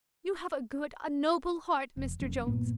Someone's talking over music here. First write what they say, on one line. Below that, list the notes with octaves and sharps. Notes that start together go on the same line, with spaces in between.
You have a good--a noble heart, Mr Jones.
F1
F1 B1 F#2
B1 G2 A#2 B3